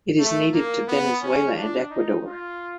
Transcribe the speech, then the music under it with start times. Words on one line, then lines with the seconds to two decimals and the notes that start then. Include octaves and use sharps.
It is native to Venezuela and Ecuador.
0.19 A3
0.53 A#3
0.88 B3
1.21 C#4
1.56 D4
1.91 D#4
2.25 F4